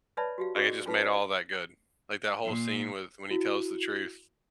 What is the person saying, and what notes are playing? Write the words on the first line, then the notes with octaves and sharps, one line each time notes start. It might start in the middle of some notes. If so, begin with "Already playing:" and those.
like, it just made all that good. Like that whole scene with when he tells the truth
B4 C#5 D5 E5 A5 B5
F#4 G4 F5
C#4 F#4 G#4 A#4 D5 D#5
C#4 F4 A4 B4 A5
D5
A#2
E4 F#4